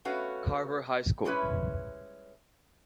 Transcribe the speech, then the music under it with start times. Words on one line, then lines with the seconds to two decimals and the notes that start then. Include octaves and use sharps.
Carver High School.
0.05 A3 B3 C#4 F#4 B4 F5
1.25 G3 G#3 C#4 E4 B4